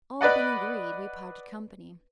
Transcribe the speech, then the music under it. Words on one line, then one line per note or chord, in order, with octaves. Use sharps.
All being agreed, we parted company.
B4 D5 D#5 F#5